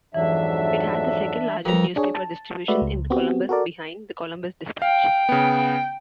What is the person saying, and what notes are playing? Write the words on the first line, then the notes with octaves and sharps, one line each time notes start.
It had the second-largest newspaper distribution in Columbus behind "The Columbus Dispatch".
F2 G#2 E3 F#3 D4 E5
F2 G3 A#4 B4 A#5
D4 G#4 C#5
A5
G#3 A3 F#4 B4 D5 E5
C#2
B3 C4 F#4 G4
F#4 A4 A#4 D5
F5 G5
C#3 B3